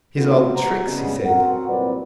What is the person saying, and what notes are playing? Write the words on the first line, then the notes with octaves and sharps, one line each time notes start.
"His old tricks," he said.
E3 G#3 A3 B3 F4 F#4
E2 G#3 F#4 A#5
C#3 G#3 B3 C#4 D4
C4 F#4 A#4 F#5
C2 A#2 F#3 C4 B4 D5